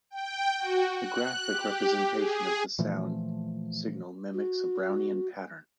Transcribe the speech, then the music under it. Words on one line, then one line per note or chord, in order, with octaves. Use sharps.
The graphic representation of the sound signal mimics a Brownian pattern.
G5
F#4
F#6
G4
G#4
A#2 E3 F3 A3
F#4